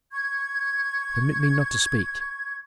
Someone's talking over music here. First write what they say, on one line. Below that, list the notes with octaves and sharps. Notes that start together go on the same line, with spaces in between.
Permit me not to speak.
C#6 G#6